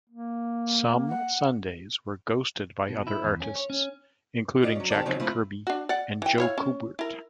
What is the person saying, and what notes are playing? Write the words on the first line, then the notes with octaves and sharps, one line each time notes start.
Some Sundays were ghosted by other artists, including Jack Kirby and Joe Kubert.
A#3
F#5
B2
E4
E2
C#4
C#5
C#4
F4 D5 D#5
F#3 C#4
D#3 C4 G4 A4 D5
C#3 F3 F#3 C4 D#4
F3 A3 C4 E4 F4
D4 F#4
D5 F#5
E3 G5
E4 C#5 F5
C#4
E4 A#4